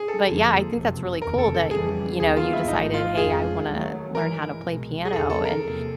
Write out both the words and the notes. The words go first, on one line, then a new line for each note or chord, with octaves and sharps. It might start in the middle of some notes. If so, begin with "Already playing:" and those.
but, yeah, I think that's really cool that, y you know, you decided, "Hey, I wanna learn how to play piano," and
Already playing: G#4
A4
F#1 F2 D3 F3 A#3
F#1 F2 C3 F3
F1 D#2 C#3 A#4
A4
A4
F2 C#3 E3 G3 B3 G#4
D#2 D#3 G3 B3 G#4
F4
E4
G#1 G#2 F3 A3 D#4
F4
F2 C#3 F3 G#3 G#4
D#2 D#3 F#3 A3
G2 E3 G#3 A#4
C2 B2 G#3
G#4
E2 C#3 F3 A4
A4
A#4
E2 C3 F3 A#3